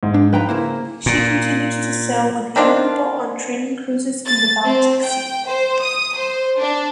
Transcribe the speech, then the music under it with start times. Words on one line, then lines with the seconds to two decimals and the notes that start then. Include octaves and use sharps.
She continues to sail with young people on training cruises in the Baltic Sea.
0.03 G#2
0.14 D4
0.33 F3 B4 G5 A#5
0.49 C#3 A#3 E4 C5
1.06 A#2
2.56 D#3 C4 D4 F4
4.27 A6
4.65 C4
5.03 G5
5.46 C5
5.81 D#6
6.16 C5
6.59 D4